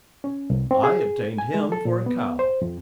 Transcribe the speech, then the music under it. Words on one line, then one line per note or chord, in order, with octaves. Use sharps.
"I obtained him for a cow."
C#4
C2
C4
G#4
G#5
G#3
A4
A#2
B3
C5
F2